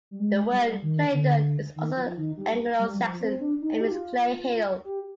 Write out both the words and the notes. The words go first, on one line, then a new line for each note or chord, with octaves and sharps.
The word Claydon is also Anglo Saxon, and means 'clay hill'.
G3
G#3
G3
D#3
D3
D#3
F3
D#3
G3
G3
F3
C4
D4
D#4
G4
F4
G4